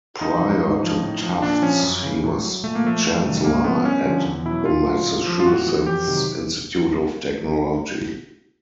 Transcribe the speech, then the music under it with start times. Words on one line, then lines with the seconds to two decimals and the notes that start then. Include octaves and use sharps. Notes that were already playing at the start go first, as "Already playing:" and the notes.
Prior to Tufts, he was chancellor at the Massachusetts Institute of Technology.
0.21 E2 D#4
0.41 C#3 F3
0.61 G#2
0.82 F3
1.02 A2
1.22 F3
1.42 A#2 D4
1.62 F3 C#4
1.82 F#2
2.03 C#3 E3
2.24 A2
2.44 F#3
2.63 A#2 A3
2.75 A#3
2.84 F3 A3
3.04 F2
3.25 C3 D#3 F#3
3.44 G#2 A#3
3.64 F3 B3
3.84 G2 C#4
4.06 D3 F3
4.25 E2
4.45 B2 F#3 E4
4.65 A#2 F4
4.86 F#3
5.06 A2
5.27 F3
5.40 F4
5.46 A2 F#4
5.67 E3
5.86 F2 G4
6.08 C3 D#3 F#3